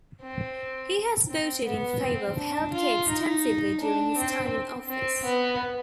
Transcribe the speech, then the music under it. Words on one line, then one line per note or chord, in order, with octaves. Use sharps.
He has voted in favor of health care extensively during his time in office.
C4
C4
B3
C4
D4
F4
D#4
D4
C4
C4
B3